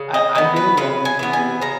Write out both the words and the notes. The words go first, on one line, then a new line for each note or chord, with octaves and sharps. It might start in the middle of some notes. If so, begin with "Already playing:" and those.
I I get along with people
Already playing: C#3
D#5
E3 B3
B4
C#3 B4
G#5
E3 B3
G#5
C#3 A#5